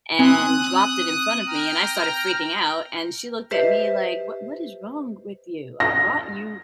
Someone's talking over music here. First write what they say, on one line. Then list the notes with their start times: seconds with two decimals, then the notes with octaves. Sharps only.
and dropped it in front of me, and I started freaking out. And she looked at me like, what what is wrong with you? I brought you
0.19 C4 G#5 D#6 F#6
1.47 G5 A#5 F6
3.51 G4 B4 C5 D#5 E5
5.80 A#6